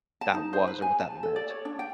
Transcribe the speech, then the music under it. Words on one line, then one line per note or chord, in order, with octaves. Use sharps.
that was or what that meant,
A5
D#4
C5
B4
G#5
A5
A4
D5
C#5
D4
G5